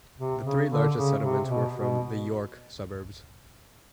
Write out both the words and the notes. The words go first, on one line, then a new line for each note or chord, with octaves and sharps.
The three largest settlements were from the York suburbs.
C3
C#3
D3
C#3
C3
B2
B2